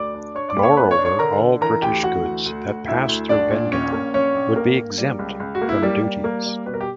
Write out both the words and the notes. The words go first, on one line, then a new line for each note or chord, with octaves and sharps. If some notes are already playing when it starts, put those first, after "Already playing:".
Moreover, all British goods that passed through Bengal would be exempt from duties.
Already playing: D2 D5 D6
D4
D4 C#5 C#6
D5 D6
A#3 B5
C#5 C#6
D4 B4 B5
C#5 C#6
D4
C#5 C#6
D3 A#4 A#5
D3
E3 A#4 A#5
D2 G4 G5
E3 F#4 F#5
D2
D2
D2
D2 E4 E5
D2
A#1 D4 D5
A#2
A#1 C#4 C#5
A#3
A#1 C#4 C#5
A#1
A#3 A#4
A#3
G3
C#2
C#2
F#4
A#3
E4
G3 A#3 G4
G3
A#3 A#4
G3
B2 B4
A#4
G4